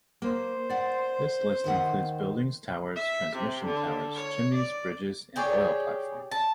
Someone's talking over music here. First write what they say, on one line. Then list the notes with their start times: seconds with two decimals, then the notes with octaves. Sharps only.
This list includes buildings, towers, transmission towers, chimneys, bridges and oil platforms.
0.22 A#3 C5
0.69 D5 F#5
1.64 D#2 D#3 F#5
2.95 E5
3.36 C3
3.65 D3
4.16 C#5
4.55 D5
5.36 G4 G#4 C#5 D5
6.32 A5